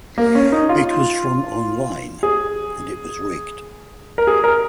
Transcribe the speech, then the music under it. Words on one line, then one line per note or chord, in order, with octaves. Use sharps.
It was from online, and it was rigged.
A#3
C#4
D#4
F4
G#4
A#4
G#4
A#4